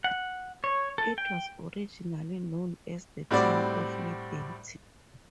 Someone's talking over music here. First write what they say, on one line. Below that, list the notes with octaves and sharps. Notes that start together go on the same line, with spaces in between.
It was originally known as the town of Liberty.
F#5
C#5
A4
G5
A2 G3 C4 F#4 D5